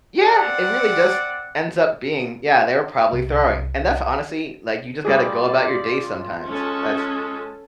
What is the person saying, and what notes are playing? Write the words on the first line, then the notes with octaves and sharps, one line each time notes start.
Yeah, it really just ends up being, "Yeah, they were probably throwing." And that's honestly, like, you just gotta go about your day sometimes. That's
C4 D5 F#5
C2
G3 F4 G#4 D5
G#3 C#4 A4